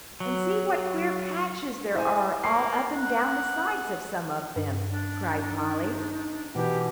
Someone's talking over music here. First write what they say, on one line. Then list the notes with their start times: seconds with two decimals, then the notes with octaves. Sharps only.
"And see what queer patches there are all up and down the sides of some of them," cried Polly.
0.20 F#3
1.94 E4 C5 G#5
2.44 A#3 C7
2.96 F#5
4.56 G2
4.90 D4
5.52 D#4
6.55 B2 E3 G4